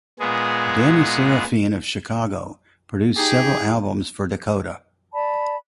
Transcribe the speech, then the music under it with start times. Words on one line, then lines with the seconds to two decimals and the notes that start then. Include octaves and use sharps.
Danny Seraphine of Chicago produced several albums for Dakota.
0.19 A#2 G#3 B3 G#4
3.17 D#4 G4 G#4 G5
5.13 D5 A5 B5